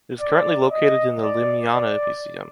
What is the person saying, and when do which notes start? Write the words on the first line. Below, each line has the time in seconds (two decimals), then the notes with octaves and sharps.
It is currently located in the Llimiana Museum.
0.20 D5
0.72 D#5
1.23 D5
1.74 D5